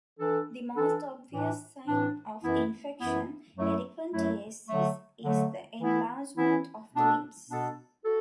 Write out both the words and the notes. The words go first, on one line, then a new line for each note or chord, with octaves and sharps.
The most obvious sign of infection, elephantiasis, is the enlargement of the limbs.
E3 D4 A4
E3 D4 A4
A2 E3 D4
A2 E3 D4
F#2 E3 B3 E4
F#2 E3 B3 E4
F#2 F#3 A3 E4
F#2 F#3 A3 E4
D3 F#3 A3
D3 F#3 A3
E3 B3 E4
E3 B3 E4
B2 B3 D4 A4
B2 B3 D4 A4
F#4 A4